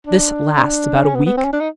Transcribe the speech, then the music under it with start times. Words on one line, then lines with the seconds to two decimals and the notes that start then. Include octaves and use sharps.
This lasts about a week.
0.07 D4
1.04 C#4
1.15 B3
1.26 B3
1.37 C4
1.45 C#4
1.53 D4
1.61 D#4